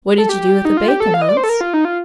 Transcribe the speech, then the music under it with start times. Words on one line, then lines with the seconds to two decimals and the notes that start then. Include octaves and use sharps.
'What did you do with the bacon, Hans?'
0.18 A4
0.29 G4
0.65 D#4
0.77 F4
0.88 G4
1.00 A4
1.14 F5
1.22 D#5
1.29 D5
1.37 C5
1.44 A4
1.49 A#4
1.61 F4
1.74 D#4
1.85 F4